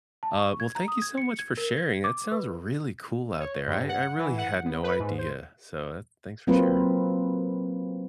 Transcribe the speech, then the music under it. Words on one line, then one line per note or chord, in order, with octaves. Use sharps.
uh, well, thank you so much for sharing, that sounds really cool out there, I I really had no idea, so, uh, thanks for sharing.
A5
C#6
G#6
A#5
D#6
G#6
C#7
G#6
A#4
G#6
D6
B4
C#5
G2
F#5
E3
F#5
B3
B4
G#2
C5
F#3 A#3 C4 F4 B4